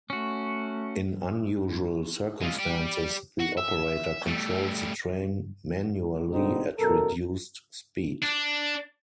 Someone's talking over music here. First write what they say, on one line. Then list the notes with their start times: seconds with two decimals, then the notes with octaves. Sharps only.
In unusual circumstances the operator controls the train manually at reduced speed.
0.10 A3 C#4 F#4
2.41 G#3 F4
2.59 G4 D5
3.39 F#4
3.57 E5
4.26 G3 A3
6.31 A1 G#2 B2 D3 C4 D#4
6.78 F#2 B2 A4 A#4
8.22 D4